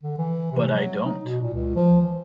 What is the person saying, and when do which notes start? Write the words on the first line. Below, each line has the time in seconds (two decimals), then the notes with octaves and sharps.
But I don't!
0.03 D3
0.18 E3
0.52 C3
0.74 F#3
1.06 D#4
1.25 B2
1.41 A#2
1.54 C#2
1.76 F3
2.01 E3